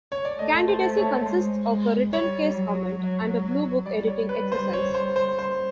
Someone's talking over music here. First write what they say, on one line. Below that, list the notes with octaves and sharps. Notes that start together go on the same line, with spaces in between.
Candidacy consists of a written case comment and a Bluebook editing exercise.
C#5
D5
A3 D#5
C5
C#5
G#3 C5
G#3
G3 C#5
F#3
F#3
G3 D5
C#5
B4
C5
C#5
C5
C5
C5